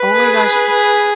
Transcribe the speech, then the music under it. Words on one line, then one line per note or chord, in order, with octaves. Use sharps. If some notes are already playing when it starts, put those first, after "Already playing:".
Oh, my gosh, uh
Already playing: B4
G#4